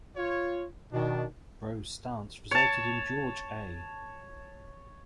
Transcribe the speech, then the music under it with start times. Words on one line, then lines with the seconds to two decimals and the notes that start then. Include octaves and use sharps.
Rowe's stance resulted in George A.
0.16 F4 C#5
0.93 B2 D#3 D4
2.51 C#5 A5